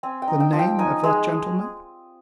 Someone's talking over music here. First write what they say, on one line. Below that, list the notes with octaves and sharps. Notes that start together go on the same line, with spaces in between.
"The name of that gentleman?"
C4 G#5
G5
D#4
G5
F3
G5
D#4 G#5
G#3